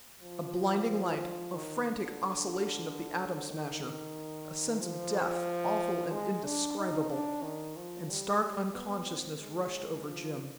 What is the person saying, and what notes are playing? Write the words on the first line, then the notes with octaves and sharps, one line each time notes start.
A blinding light, a frantic oscillation of the Atom Smasher, a sense of death, awful and indescribable--and stark unconsciousness rushed over Jim.
F3
D#3
D3
D#3
F3
G#3
D4
D#4
D4
D#3
F3
G3
B3
C4
G#3
F3